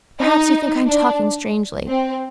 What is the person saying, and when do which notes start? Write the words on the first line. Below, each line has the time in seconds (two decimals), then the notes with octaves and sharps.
Perhaps you think I am talking strangely.
0.19 D#4
0.87 D4
1.88 C4